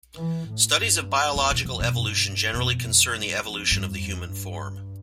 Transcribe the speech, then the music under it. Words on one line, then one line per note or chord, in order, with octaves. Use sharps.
Studies of biological evolution generally concern the evolution of the human form.
E3
A2
G2
E2 D3
B2
F2 C3
B2
G2
F2 B2
F2
G2
F2
G2
G2